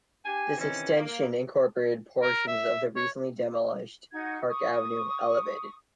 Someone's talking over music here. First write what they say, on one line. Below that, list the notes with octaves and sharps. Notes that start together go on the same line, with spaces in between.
This extension incorporated portions of the recently demolished Park Avenue Elevated.
D4 G4 G#5
C3 D#3 E3 C4 C#4
A#3
A#4
E5
C#5
D#4 F#4 F#5 G#6
C#6 D#6